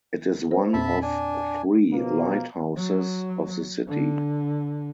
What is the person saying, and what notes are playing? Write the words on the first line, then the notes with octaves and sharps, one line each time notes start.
It is one of three lighthouses of the city.
A#4 C5
E2 A#2 C4 E5 A5 B5
D4 G#5
B2 F3 A#3
F#3
D3